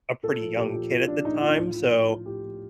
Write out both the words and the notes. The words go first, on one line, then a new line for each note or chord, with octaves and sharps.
a pretty young kid at the time, so
A#2 A4
F3
A#2 G4
F3
A#2 F4
F3 D4
A#2 D#4
F3 F4
A2 F4
F3
A2
F3
A2 G4
F3